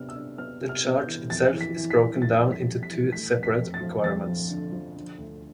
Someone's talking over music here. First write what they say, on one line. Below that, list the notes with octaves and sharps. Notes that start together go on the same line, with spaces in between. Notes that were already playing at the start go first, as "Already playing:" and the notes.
The charge itself is broken down into two separate requirements.
Already playing: C3 B3 D4 F6
E6
D4
B3 F6
C3
F6
B3
G6
E3
F2 A6
E3
B6
E3
B6
E3
F2 A6
F2
B6
G3
B6
E3
A3 B6
F2
B6
F2
A6
F3
F2 A6
F3
D3
F3
D3
D2